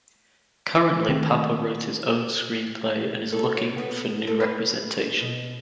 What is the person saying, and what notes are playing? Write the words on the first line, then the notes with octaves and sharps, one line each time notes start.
Currently Papa wrote his own screenplay and is looking for new representation.
D#3 A3 C4
A4
C#5
B3
A4
B4
B2